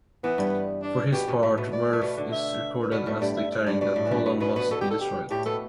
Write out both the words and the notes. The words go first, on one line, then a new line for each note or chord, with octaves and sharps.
For his part, Wirth is recorded as declaring that Poland must be destroyed.
E3 B3
G2 G3
D4
B2 B3 G4
B2 B3
A2 A3
B2 B3
D5
A3
B2 B3
D3 D4
E5
B4
B2 B3 D5
A2 A3
G2 G3 D5
E5
D5
G2 G3 D5
B2 B3 D5
A2 A3
E3
G2 G3
B2 B3
B2 B3 B4
B2 B3 B4
B2 B3 A4
G4
A4
G4
A2 A3 G4
B2 B3 A4